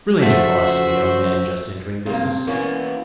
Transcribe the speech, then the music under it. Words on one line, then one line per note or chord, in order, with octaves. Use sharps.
Brilliant advice to a young man just entering business!
C#3 F3 A3 F#4 C5 E5 F#5
G2 C3 A#3
E3 A#3 B3 C#4 F#4